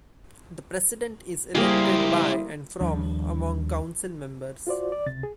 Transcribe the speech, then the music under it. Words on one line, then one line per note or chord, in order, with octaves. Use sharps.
The President is elected by and from among Council members.
C#2 G3 A#3 E4 G4 G#4 A#4 C5
D#2 F3 G3 D4
F4 F#4 C5 D5
D5
C#2 C3 A6
G#4